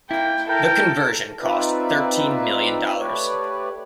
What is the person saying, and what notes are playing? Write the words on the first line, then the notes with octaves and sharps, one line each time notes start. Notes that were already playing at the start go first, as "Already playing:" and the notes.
The conversion cost thirteen million dollars.
A#3 E4 G5
A4 A#4 G5
C4 D#4 F4 B4 D5 E5
A3 G4 B4 C#5 D5